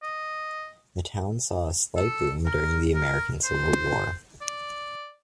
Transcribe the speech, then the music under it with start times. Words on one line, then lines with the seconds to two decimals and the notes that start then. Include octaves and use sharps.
The town saw a slight boom during the American Civil War.
0.03 D#5
1.97 A4
2.46 A#4
2.95 A#4
3.44 C5
4.41 D5